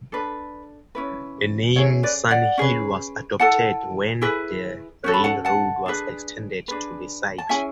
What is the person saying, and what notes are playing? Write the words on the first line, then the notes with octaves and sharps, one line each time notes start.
The name Sun Hill was adopted when the railroad was extended to the site.
D4 A4 B4
C#4 E4 B4
C#4 E4 G#4 C#5
B4 D5
D5 F#5
C#4 G#4 B4
E4 A4 F#5 A5
E4 G#4 B4
C#4 F#4 A4
B5
F#5 A5
F#5 A5
D4 G#4 B4
D4 G#4 B4
A5
C#4 E4 G#4 E5 G#5